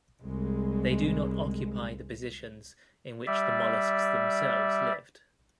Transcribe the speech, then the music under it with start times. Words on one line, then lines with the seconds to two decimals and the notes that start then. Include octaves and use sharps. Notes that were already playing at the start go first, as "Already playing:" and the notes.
They do not occupy the positions in which the molluscs themselves lived.
0.23 C2 G#3
3.27 G3 D5 E5